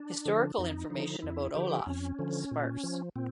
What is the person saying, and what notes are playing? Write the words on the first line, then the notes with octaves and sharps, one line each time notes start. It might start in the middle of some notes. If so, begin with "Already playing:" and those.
Historical information about Olaf is sparse.
Already playing: D4
D3 F3
F2 D#4
D3 F3
F2 E4
D3 F3 G4
F2 C#4
D3 F3
A#2
F3
A#2 C4